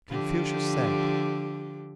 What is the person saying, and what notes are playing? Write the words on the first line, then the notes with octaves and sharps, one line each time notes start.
Confucius said.
D3 F3 G4